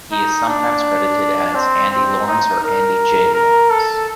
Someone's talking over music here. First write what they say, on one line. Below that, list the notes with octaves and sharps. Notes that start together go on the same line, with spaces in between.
He is sometimes credited as Andy Lawrence or Andy J. Lawrence.
D#4
D4
C4
C4
D#4
A#4
A#4
A4